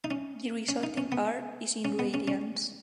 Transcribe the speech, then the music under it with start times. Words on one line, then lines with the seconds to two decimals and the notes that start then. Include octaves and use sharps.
The Resulting "R" is in radians.
0.04 D#4
0.11 C#4
0.69 C#4
0.83 D#4
0.98 C#4
1.12 B3
1.85 C#4
1.99 B3
2.14 C#4
2.28 C#4